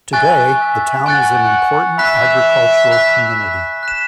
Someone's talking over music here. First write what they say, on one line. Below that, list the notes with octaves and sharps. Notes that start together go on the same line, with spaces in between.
Today, the town is an important agricultural community.
E5 G#5 C#6 F#6 A6
E5
F#5 G#5 C#6 F#6 A6
E5 B5 F#6 B6
B5 F#6 B6
F#6 B6 E7